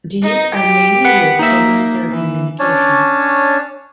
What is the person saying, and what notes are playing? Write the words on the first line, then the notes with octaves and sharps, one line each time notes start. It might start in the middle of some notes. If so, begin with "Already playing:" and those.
These are mainly used for military communication.
D#4
G4
B4 F#5
A#3 D#4 E5
E3
C#4 D4 C#5 A5